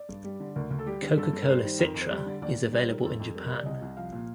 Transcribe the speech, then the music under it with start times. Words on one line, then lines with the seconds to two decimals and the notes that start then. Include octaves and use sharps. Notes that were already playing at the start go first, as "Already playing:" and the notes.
Coca-Cola Citra is available in Japan.
Already playing: D5
0.09 G2
0.24 G3
0.40 D3
0.56 D2 A#4
0.71 D2
0.79 A4
0.86 G3 G4
1.02 D3
1.18 G2 A4
1.33 G2
1.42 A#4
1.49 G3 C5
1.64 D#3
1.79 F2 A#4
1.95 F2
2.01 C5
2.11 G3 D5
2.26 D3
2.42 D#2 D5
2.58 D#2
2.72 G3 C5
2.88 D#3 A#4
3.04 F2 A4
3.20 F2
3.35 G3 A#4
3.45 A#4
3.51 C3 D5
3.66 C2 D#5
3.82 C2
3.97 F3 F5
4.13 A#2